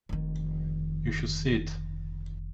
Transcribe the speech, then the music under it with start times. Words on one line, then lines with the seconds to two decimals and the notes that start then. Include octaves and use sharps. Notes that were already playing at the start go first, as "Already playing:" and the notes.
You should see it.
0.09 F1 D#3